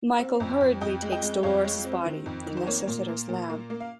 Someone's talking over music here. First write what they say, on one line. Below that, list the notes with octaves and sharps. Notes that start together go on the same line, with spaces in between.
Michael hurriedly takes Dolores's body to Necessiter's lab.
C4
F2
F2
F2 D#5 G5
G#3
D#5 G5
G#3
F2 C#5 F5
G#3
C4
D#3
F2
D#3
C5
A#3 C#5
A#2
A#3
A#2
A#3
A#3
F5